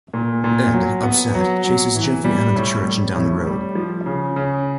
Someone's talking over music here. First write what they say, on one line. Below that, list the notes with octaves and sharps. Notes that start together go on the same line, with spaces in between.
Ed, upset, chases Jeffrey out of the church and down the road.
A#2
A#2
F#3
B3
F#3
F#3
E3
G3
A2
G3
A2
G3
F3
C#3
C#3